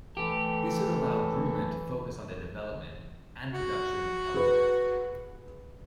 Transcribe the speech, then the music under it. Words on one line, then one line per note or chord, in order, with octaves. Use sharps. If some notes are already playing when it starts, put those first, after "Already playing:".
This would allow Grumman to focus on the development and production of Hellcat.
E3 A3 G4 A4
F#4
G#4 B4